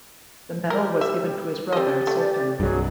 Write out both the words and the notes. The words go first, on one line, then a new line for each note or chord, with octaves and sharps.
The medal was given to his brother Sultan.
G3 A#4
E5
C4 G4 D5 D#5
A3
C2 G2 F#3 G#4